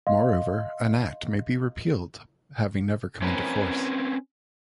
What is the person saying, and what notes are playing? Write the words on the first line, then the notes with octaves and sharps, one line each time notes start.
Moreover, an Act may be repealed having never come into force.
D#5 F5 C6
C4 C#4 A#4 B4